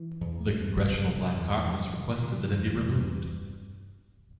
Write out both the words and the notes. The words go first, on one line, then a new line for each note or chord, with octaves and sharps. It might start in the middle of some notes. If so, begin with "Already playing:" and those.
The Congressional Black Caucus requested that it be removed.
Already playing: E3
E2
E2
C3
C3
E2
F2 C3 F3
C3 D#3
C3 D#3
E2 G2 G3
E2